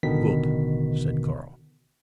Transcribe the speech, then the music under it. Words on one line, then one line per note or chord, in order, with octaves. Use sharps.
"Good," said Carl.
A1 B2 D3 D#3 B6